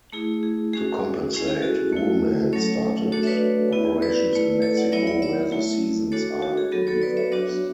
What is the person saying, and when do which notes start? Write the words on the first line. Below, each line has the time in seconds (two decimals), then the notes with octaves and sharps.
To compensate, Woolman started operations in Mexico where the seasons are reversed.
0.13 A3 E4 G#4
0.43 G#4
0.73 G#3 C#4 F#4 G#4
1.33 G#3 C#4 E4 G#4
1.48 G#4
1.62 F#4 A4
1.93 A3 E4
2.53 F#3 A3 C#4 A4 C#5
3.12 A3 D4 F#4 A4 C#5
3.23 E5
3.27 B4 D5
3.73 B3 E4
4.02 B4 D5
4.33 A3 E4
4.62 A4 C#5
4.77 D5 F#5
4.92 F#3 B3 E4 C#5 E5
5.07 D5 F#5
5.22 C#5 E5
5.52 A3 E4
6.12 G#3 D4 F#4 A4 C#5
6.42 F#4
6.58 G#4
6.72 F#3 B3 F#4 A4
6.87 A4 C#5
7.02 B4 D5
7.17 C#5 E5
7.32 F#3 B3 D4 F#4 C#5 E5